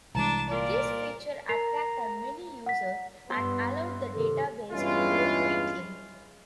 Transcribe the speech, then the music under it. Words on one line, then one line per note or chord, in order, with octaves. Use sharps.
This feature attracted many users and allowed the database to grow quickly.
C2 E3 G#3 D4 A5 A#5
A#2 F4 A#4 D5
A#4 A#5 C7 F7
F#5 B6
G2 B3 C6 E6
C3 D#3 A4
E2 G2 G#3 C#4 E4 F4